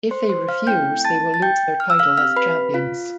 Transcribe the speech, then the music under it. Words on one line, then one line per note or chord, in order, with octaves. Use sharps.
If they refuse, they will lose their title as champions.
C5 C6
C5 C6
F5 F6
A3 C4 E4 A4 G5 G6
A5 A6
A6
G5 G6
F6
E6
F5 F6
C4 G4 F5 F6
B4 B5
F4 F5